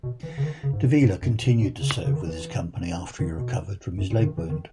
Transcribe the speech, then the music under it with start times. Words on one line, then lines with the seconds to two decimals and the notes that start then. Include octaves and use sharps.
Davila continued to serve with his company after he recovered from his leg wound.
0.03 B2
0.23 E3
0.38 C#3
0.43 D#3
0.63 C#3
0.73 G#2
0.83 A#2
1.03 G#2
1.22 F#2
1.42 A#2
1.61 B2
1.81 C#3
2.05 C#3
2.14 D#3
2.27 E3
3.19 D#3
3.39 B2
3.98 F#2
4.10 A#2
4.20 C#3
4.23 D#3
4.37 E3
4.50 D#3